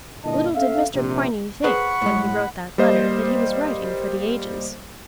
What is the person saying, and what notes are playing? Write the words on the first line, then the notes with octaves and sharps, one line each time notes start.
Little did Mr. Quiney think, when he wrote that letter, that he was writing for the ages.
G2 A#2 D3 E4 D#5 A5
C#4 A4 E5 F5
A#1 C3
G#4 B4 C5 F#5 B5 C#6
A2 G#3
G3 A#3 C5 D#5